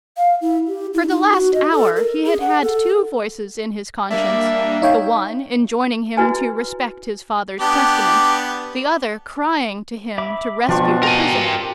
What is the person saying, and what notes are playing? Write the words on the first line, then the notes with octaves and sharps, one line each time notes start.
For the last hour he had had two voices in his conscience, the one enjoining him to respect his father's testament, the other crying to him to rescue the prisoner.
F5
E4
G4
E4
D#4
F#4
D#5
A4
A#4
G#4
F#5
A4
G3 A#3 D4 E5
D#4 C#5 F5 G5
E4 F#4 B4 G#5
B3 D4 G4
E5 B5 D6
B2 F3 C4 D4 F4 C#6
G4 A#4 G#5 A#5